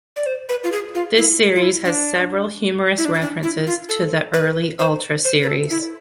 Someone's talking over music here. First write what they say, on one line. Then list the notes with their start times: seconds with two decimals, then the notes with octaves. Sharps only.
This series has several humorous references to the early Ultra Series.
0.16 D5
0.26 C5
0.49 B4
0.64 F4
0.72 G#4
0.95 F4
1.18 E4
1.55 F4
1.62 E4
1.85 D4
2.98 E4
3.05 D4
3.14 E4
3.21 D4
3.43 E4
3.67 F4
3.89 A4
4.34 B4
4.79 C5
5.25 C5
5.42 B4
5.47 A4
5.70 E4